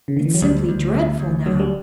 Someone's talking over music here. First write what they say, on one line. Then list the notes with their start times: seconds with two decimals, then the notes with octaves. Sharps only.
It's simply dreadful now.
0.08 C#3
0.17 D3
0.25 E3
0.34 F#3
0.42 D2 G3
0.69 D2
0.95 D2
1.20 D2
1.46 D2 F#3
1.59 G3